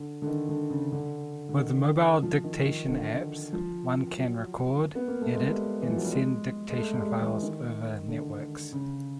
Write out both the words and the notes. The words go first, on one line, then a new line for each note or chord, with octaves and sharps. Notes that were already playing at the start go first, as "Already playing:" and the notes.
With mobile dictation apps, one can record, edit, and send dictation files over networks.
Already playing: D3
D3
D#3
D3
C#3
D3
D3
D#3
F3
D#3
D#3
D3
F3
F#3
B3
A#3
A3
G#3
G3
E3
F3
F#3
G3
G#3
G#3
A3
G3
G#3
E3
D#3
D3
C#3